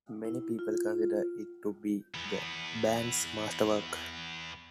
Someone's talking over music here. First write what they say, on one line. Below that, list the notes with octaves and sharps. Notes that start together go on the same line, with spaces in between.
Many people consider it to be the band's masterwork.
E4
F4
E2 B3